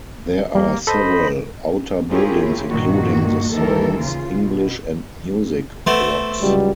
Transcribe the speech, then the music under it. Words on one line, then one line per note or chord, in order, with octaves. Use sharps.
There are several outer buildings including the science, English and music blocks.
G3 A#3
A4 C5 D#5 B5
E4 F4 G4 G#4 A#4 C#5
G2 A#2 D#3 A#3 F#4
D#2 D#3 E3 A#3 A4 A#4
C#3 F4
B2
A3 B3 C4
C#2 F#3 G3